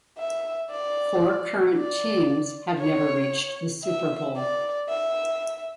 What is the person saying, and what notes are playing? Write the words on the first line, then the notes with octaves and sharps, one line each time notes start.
Four current teams have never reached the Super Bowl.
E5
D5
D5
C#5
E5
D5
E5